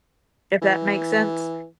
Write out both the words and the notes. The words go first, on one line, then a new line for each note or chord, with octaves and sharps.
if that makes sense.
E3